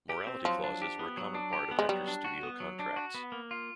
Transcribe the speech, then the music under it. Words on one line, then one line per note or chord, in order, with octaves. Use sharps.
Morality clauses were a common part of actors' studio contracts.
G4
C4
F3 F#3
D4
G4
B3
F#3
D4
G4
B3
G#3
F#3 G3
D4
F#4
B3
F#3
D4
F#4
B3
A#3
F4